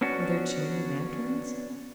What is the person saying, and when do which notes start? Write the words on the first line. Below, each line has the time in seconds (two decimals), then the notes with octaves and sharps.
Were there too many lanterns?
0.01 B3 C#4 D4 F#4